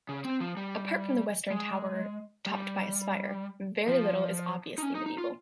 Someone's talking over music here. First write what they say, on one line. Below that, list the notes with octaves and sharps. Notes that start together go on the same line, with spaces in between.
Apart from the western tower topped by a spire very little is obviously medieval.
C#3
C4
F3
G3
G#3
G3
F3
D#4
C#4
D#4
D#4
F4